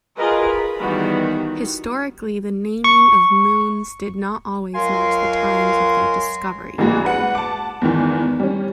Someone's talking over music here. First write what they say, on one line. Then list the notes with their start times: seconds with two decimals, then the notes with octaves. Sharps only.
Historically the naming of moons did not always match the times of their discovery.
0.18 F4 F#4 G#4 A#4 B4 D#5
0.51 B5
0.81 D#3 E3 G3 B3 F#4
2.84 C#6
4.74 C#2 F#3 A#4 F5 G#5 C6
6.78 G#1 G2 E3 G#3 A#3 F#4
7.05 B4 F#5
7.35 A5 D6
7.82 E2 G#2 D#3 E3
8.40 G3 C#4